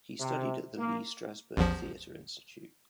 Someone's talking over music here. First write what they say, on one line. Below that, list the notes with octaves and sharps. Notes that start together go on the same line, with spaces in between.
He studied at the Lee Strasberg Theater Institute.
C3
A#3
A1 E2 F3